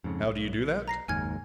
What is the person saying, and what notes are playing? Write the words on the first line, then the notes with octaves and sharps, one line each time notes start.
"How do you do that?"
F2 G#2 C#3
B1
A#5 A#6 C7
F#1 D#2 G#2 G#5 F6 G#6